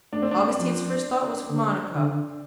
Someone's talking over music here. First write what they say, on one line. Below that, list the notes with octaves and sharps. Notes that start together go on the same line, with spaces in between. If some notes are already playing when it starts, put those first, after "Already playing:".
Augustine's first thought was for Monica.
A3 D4
C4
D4
F3
D3
D3